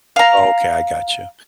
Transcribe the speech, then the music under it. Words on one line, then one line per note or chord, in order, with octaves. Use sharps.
Okay, I gotcha,
F5 A#5